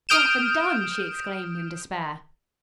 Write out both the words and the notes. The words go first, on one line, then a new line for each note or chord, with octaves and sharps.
"Deaf and dumb!" she exclaimed in despair.
D#6 F6 G6 D7 E7